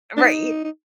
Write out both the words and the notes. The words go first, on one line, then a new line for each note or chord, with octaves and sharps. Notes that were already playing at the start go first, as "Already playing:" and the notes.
Uh, right, e
D4
D#4
D#4